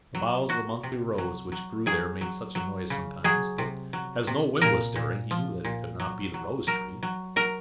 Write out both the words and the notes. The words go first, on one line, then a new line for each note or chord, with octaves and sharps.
The boughs of a monthly rose which grew there made such a noise sometimes, but as no wind was stirring he knew that it could not be the rose-tree.
F#3
F#3 F#4
C3
F#3
F#3
F#3 G#4
F#3
F#3
C#3
F#3 G#4
C3
F#3
C3
A#2 A#4
A#2
F3
A#2
F#3
F#3
F#3 A#4
F#3
F#3 A#4